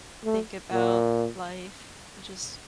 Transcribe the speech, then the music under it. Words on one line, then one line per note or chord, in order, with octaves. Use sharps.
think about life and just
A3
A#2